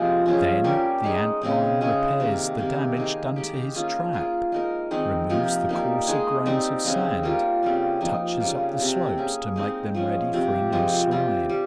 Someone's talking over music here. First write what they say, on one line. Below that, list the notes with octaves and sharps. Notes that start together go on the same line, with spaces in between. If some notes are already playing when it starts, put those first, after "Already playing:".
Then the Ant-lion repairs the damage done to his trap, removes the coarser grains of sand, touches up the slopes to make them ready for a new slide.
Already playing: C3 F3 G#3 A#3 F4
F3 G#3 C#4 G#4
G3 C#4 G4 A#4
G#3 D#4 G#4
C#3 G#3 C4 D#4
C#3 G#3 C#4 G#4
C3 D#3 A#3
C3 D#3 A#3
A#3 D#4 G#4
D#3 G#3 D#4 G4
A#3 C#4 F4 G#4
A#3 F4 G#4
G#3 D#4 A#4
D#3 G#3 C4 D#4
C3 F3 A#3 D#4
G3 A#3 D#4
G#3 D#4 G#4
G3 C4 D#4
C#3 G#3 C4
G3 A#3 F4 A#4
C#3 G3 C4
F3 A#3 D#4
C#3 G3 A#3 F4
C3 G3 C4
A#3 C#4 G#4
G#3 C4 D#4
F3 G#3 C#4
C3 F3 C4 G4
F3 G#3 C4
G3 C4 F4
G3